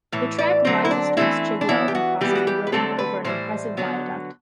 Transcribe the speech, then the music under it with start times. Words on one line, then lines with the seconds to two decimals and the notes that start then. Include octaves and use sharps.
The track rises towards Chigwell and crosses the Roding over an impressive viaduct.
0.12 A2 E3
0.38 D5
0.65 D3 F#3 C4 C5
0.85 E4
0.91 D4
1.17 E3 A3 C4 E4
1.61 D4
1.69 E3 B3 E4
1.88 G4
1.95 F#4
2.21 E3 G3 B3 G4
2.35 F#4
2.47 G4
2.67 B4
2.72 D3 F#3 A3 C4 A4
2.99 B4
3.24 A2 E3 G3 C5
3.77 D3 F#3 B3